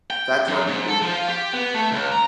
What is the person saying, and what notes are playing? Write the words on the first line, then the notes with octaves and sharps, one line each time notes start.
That's what we do.
G5
F#2
G#2
A4
F3
F4
G4
B3
A3
C#2
A#5